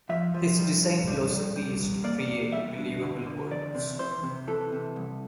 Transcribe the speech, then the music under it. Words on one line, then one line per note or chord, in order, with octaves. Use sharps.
His design philosophy is to create believable worlds.
F3 E5
F3
G3
A2
G3
A2
G3
E2
A#3 D5
E2
G3 E5
D4
D3
D3
E2 D5
C3
E3 C5
C3
E3 A4
C3
C2